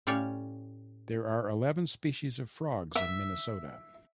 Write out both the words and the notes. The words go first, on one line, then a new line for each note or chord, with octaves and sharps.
There are eleven species of frogs in Minnesota.
A2 C#4 G4 C#5 D5 F5
E5